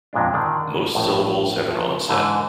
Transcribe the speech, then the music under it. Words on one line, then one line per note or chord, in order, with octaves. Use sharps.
Most syllables have an onset.
F2 A#2 G#3 D4
D3 D#3 D4 G#4 D5
A#1 A2
F3
G#2 D3 E3